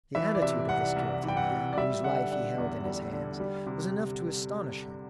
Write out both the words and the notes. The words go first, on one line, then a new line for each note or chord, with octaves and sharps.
The attitude of this guilty man, whose life he held in his hands, was enough to astonish him.
E3 E5
D5
C3 E5
C2 F#5
C2
E3 G5
F#5
C3
D5
G3 E5
D3 F#5
D4 F#5
E2
G3
D3
G3
C3